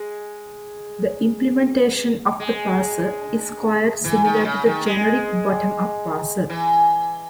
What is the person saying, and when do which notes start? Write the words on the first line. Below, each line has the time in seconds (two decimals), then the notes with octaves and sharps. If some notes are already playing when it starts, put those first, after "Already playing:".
The implementation of the parser is quite similar to the generic bottom-up parser.
Already playing: G#3
2.40 G#3
4.04 E3
4.24 D#3
4.36 B2
4.45 C#3
4.66 D#3
4.86 G#3
6.50 E3